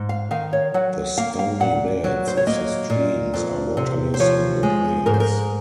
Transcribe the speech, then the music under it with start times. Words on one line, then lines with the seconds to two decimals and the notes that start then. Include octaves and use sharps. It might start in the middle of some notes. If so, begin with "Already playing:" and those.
The stony beds of the streams are waterless in the plains.
Already playing: G#2
0.09 F5
0.31 D#3 F5
0.53 C#5
0.74 F#3 F#5
1.18 A#3 F5
1.39 F5
1.60 A#2 F#5
2.04 F#3
2.27 C5
2.37 C#5
2.47 A#3 D#5
2.90 A#2
3.34 F2
3.77 C3
4.14 C5
4.20 F3 C#5
4.63 G#3
5.06 G#2 A#4
5.14 C5
5.20 A#4